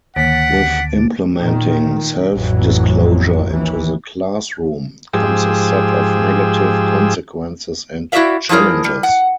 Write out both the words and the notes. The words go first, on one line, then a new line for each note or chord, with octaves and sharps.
With implementing self-disclosure into the classroom, comes a set of negative consequences and challenges.
D2 D3 D#3 A#3 F#5 B6
A#2 D#3
A1 F2 E3 F#3
D#2 E3
G#2 F3 G4 G#4 E6
E4 F#4 G4 D5 E5 F5
F3 G3 E4 G#4 A#4
G3
F#5